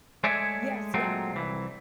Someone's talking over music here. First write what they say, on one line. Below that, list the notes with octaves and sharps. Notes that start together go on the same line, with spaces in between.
Yes, yeah, that one.
G#3 A3 G#4 C#5 D5 E5
A#2 F#3 G#3 A3 C4
C2 E3